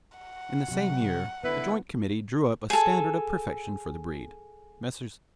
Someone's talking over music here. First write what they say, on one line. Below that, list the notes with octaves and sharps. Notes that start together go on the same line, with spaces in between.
In the same year a joint committee drew up a standard of perfection for the breed, Messrs.
F#5
C3 F#3 F#4
D3 B3 E4 B4
G#4 A4